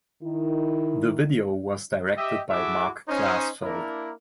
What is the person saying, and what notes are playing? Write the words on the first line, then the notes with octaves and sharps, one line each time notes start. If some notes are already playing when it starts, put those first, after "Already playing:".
The video was directed by Marc Klasfeld.
D#3 E4
G4 D#5 E5
E4 F#4 G#4 A4 E5 D6
C#4 D#4 C5
A#3 D4 E4 A#4